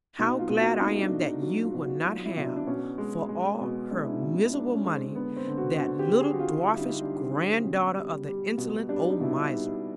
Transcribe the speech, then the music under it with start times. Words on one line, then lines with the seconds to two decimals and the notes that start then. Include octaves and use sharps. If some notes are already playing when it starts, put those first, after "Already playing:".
How glad I am that you will not have, for all her miserable money, that little dwarfish granddaughter of the insolent old miser!'
0.19 B2 D#4
0.39 F4
0.49 B2
0.60 F#4
0.81 A3 D#4
1.01 D4
1.11 B2
1.22 D#4
1.42 F#3 D#4
1.64 F4
1.74 B2
1.84 F#4
2.05 F#3 F4
2.25 E4
2.37 B2
2.46 D4
2.56 D4
2.66 B2 C#4
2.98 G#3
3.29 G#3
3.61 B2
3.91 G#3 D4
4.04 E4
4.13 D#4
4.22 B2
4.33 D#4
4.53 G#3 D4
4.75 C#4
4.84 G#3
4.95 C4
5.06 C4
5.15 D3 B3
5.36 C4
5.47 D3
5.58 F#4
5.78 D3 F#4
5.99 G4
6.08 D3
6.20 G#4
6.33 F#4
6.39 D3 F4
6.61 E4
6.72 G3
6.81 D#4
7.02 G3 D4
7.23 C4
7.33 D3
7.64 B2 C#4
7.95 G3
8.27 G3
8.58 B2
8.89 G3 D4
9.10 D#4
9.20 B2 E4
9.30 D#4
9.51 G3